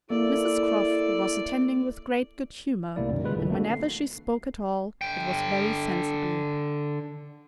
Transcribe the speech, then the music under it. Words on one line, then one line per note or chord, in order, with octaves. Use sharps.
Mrs Croft was attending with great good-humour, and whenever she spoke at all, it was very sensibly.
A#3 E4 A4 D5
C2 C3 A3 A#3 E4 D5
F#2 B2 D#3
C#3 G3 G#3 F4 B4
A#1 D3 E3 B4
A3 A#3 C4 D4 F#4 A4
C7
D3 G5